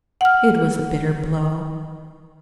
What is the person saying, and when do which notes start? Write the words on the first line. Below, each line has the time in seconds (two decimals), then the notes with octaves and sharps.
It was a bitter blow.
0.21 F#5 F6